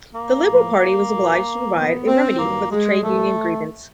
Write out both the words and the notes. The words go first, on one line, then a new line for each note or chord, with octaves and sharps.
The Liberal Party was obliged to provide a remedy for the trade union grievance.
A#3
A2 F3
A#2 F#3
A#2 F3 B3
C4
G2 D#3 F#3 A#3
G#3
A#2 F3 A3